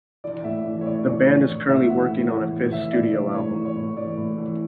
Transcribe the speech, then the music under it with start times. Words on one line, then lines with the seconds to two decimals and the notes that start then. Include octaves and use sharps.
The band is currently working on a fifth studio album.
0.24 E3 D5
0.44 A2 E5
0.65 E3
0.81 C#5
0.85 A2 D5
1.06 E3 D5
1.27 A2 C#5
1.48 E3
1.69 A2 E5
1.89 E3 F#5
2.10 A2
2.31 E3
2.51 A2
2.72 E3 E5
2.93 A2 D5
3.13 E3 D5
3.34 A2 C#5
3.55 E3
3.65 C#5
3.76 A2
3.97 E3 D5
4.17 A2
4.38 E3